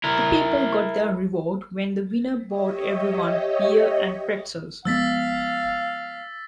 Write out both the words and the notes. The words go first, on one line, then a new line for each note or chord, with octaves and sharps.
The people got their reward when the winner bought everyone beer and pretzels.
E4 A#4
G4 C#5 D#5 E5
F3 G#3 B3 F5 E6 A6 B6